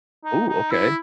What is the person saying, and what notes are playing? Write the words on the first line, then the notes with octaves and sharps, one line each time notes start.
Ooh, okay.
D#4
D#4
E4